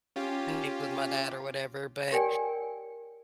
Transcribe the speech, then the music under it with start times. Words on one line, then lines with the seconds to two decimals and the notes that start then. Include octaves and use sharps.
with my dad or whatever. But,
0.16 C#4 F4 G4
2.12 G4 A#4 C#5 D5 G5 G#5